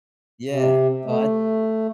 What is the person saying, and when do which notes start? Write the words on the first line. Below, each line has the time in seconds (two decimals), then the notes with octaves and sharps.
Yeah. Oh, I
0.49 C3
1.05 A3